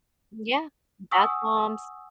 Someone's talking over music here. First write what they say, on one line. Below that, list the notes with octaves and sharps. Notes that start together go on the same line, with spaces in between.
Yeah, bath bombs
F#5 G#5 C#6 D#6 E6